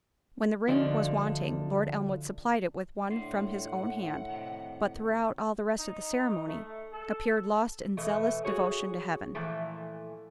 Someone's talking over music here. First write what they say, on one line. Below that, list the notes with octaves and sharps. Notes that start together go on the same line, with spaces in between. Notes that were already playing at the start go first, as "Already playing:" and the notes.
When the ring was wanting, Lord Elmwood supplied it with one from his own hand, but throughout all the rest of the ceremony, appeared lost in zealous devotion to Heaven.
D2 D3 F3 D4 D#4 F5
A2 D4 F#5 C6
C3 D#3
D#4
D#4
A3
A4
B2 E3 A3 D#5
F#4 G#4 C#5
A#2 E3 F3 A3